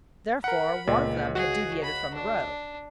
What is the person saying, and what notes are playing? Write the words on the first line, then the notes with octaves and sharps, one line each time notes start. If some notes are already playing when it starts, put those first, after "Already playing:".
Therefore, one of them had deviated from the road.
A#4 F#5 B5
C#2 A#2
F#4 G#4
B5
D4